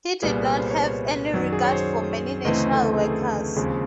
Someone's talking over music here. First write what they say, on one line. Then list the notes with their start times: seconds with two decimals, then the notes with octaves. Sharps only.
He did not have any regard for any national workers.
0.22 C2 A#2 G3 B3 G#4
0.34 B4
0.41 A#4
0.59 C5
0.71 C#5
0.78 C5
1.34 F#2 D#3 F#3 D5
1.52 G#4
1.64 C#5
1.71 C5
2.45 D2 C#3 E3 A3 C4 D#5
2.73 A4
3.01 G#4
3.11 A4
3.21 G#4
3.56 D#2 C#3 F3 G#3 C4